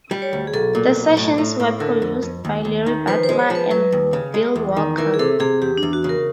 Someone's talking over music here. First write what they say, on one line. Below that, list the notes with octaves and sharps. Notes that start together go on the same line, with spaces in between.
The sessions were produced by Larry Butler and Bill Walker.
G3
C#5
D2
G#4
B1 A4
A#2
B1
A2
A2
A2
D3 A#4
F2
F2
D#2
D#2
D#3
F3 B4
C5
G#3
C#5
F3
B4
F#3 B4
D#2
C#3
G#3
E2
D#3
E3 A#4
G#4
C3 A4
C3 G#4
E2 G4
D4
E2
F#4
C#3
A#4